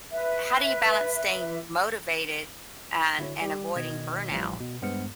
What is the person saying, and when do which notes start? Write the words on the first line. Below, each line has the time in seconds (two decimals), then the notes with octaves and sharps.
how do you balance staying motivated and and avoiding burnout
0.11 B4 E5
3.19 D3 E4 F#4 A4 C#5
3.41 G3 G4
3.76 B2 D#3 D#5 G#6
4.30 A1 A2 E3 F3 G3 F5
4.60 B2
4.82 G2 G#3 B3 C5 F6 C#7